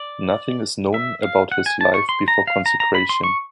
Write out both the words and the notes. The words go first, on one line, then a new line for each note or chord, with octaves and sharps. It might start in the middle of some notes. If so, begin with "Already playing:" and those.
Nothing is known about his life before consecration.
Already playing: D5
E5
F5
F#5
G#5
A5
C#6
C6
A#5
F5
A#5
A#5
B5
C6
C#6